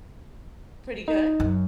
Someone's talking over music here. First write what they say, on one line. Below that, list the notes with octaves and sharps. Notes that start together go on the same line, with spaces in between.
pretty good?
D#4
F#2